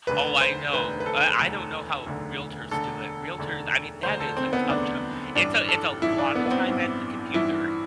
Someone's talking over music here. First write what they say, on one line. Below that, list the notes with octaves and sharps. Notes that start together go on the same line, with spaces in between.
Oh, I know. I I don't know how realtors do it Realtors I mean, that is a tough job it's a it's a lotta time at the computer
E1 D2 D3 B4
C5
E1 D2 D3 B4
B4
A4
E1 D2 D3
E1 D2 D3
E1 D2 D3 A4
E1 D2 D3
E1 D2 D3 C5
A4
C4
B3
E1 D2 D3 D4
A1 G2 E3 D4
A4
A1 G2 E3 E4
D4
B3
B3
C4
A1 G2 E3
A1 G2 E3 E4